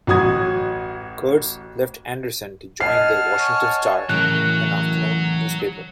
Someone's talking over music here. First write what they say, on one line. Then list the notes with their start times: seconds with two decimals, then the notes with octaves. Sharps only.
Kurtz left Anderson to join the "Washington Star", an afternoon newspaper.
0.07 A1 F#3 F#4 D#6 G#6
2.80 D#5 F#5 G#5 A5 F6 C7
3.35 C#5
4.09 A2 C#3 E3 F#3 A#4 F#6